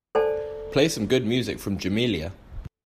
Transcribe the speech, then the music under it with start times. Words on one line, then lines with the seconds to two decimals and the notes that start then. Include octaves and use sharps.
Play some good music from Jamelia.
0.15 A4 C5 D5 G#5 A5